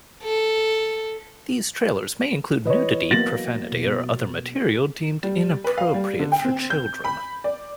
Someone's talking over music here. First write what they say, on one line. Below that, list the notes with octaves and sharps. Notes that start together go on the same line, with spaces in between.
These trailers may include nudity, profanity or other material deemed inappropriate for children.
A4
E3 B4 C#5 D#5
F#3 A#3 B3 A6 A#6 F#7
B2
G3
B4
F5
G3
D3
G5
C4
G6
B5
D5